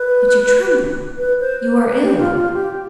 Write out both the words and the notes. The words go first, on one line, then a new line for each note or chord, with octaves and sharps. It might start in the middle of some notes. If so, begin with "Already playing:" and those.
But you tremble--you are ill!
Already playing: B4
B4
C5
B4
G4
F4
F4
G4